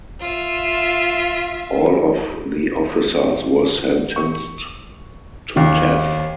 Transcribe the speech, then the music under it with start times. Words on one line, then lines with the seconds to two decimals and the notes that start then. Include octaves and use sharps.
All of the officers were sentenced to death.
0.20 F4 E5
4.16 C#6
5.57 D#2